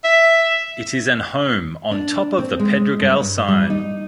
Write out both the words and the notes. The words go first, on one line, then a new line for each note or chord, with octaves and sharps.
It is an home on top of the Pedregal sign.
E5
D4
C4
G#3
G2
G3
D#4